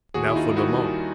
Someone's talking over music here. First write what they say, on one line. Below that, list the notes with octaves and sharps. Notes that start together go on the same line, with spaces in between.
"Now for La Mon."
D#2 F#4 G#4
E4
D#4 F4
D#3 G3 E4 F#4